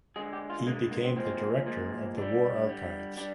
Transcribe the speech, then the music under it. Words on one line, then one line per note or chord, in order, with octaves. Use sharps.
He became director of the war archives.
D3 G#3 G#4
G4
F4
D3 G#3 A#3
A#3
C4
A#2 F3 G#3 C4
A#2 F3 G#3
D3 G3 D4
D3 G3
G3 D4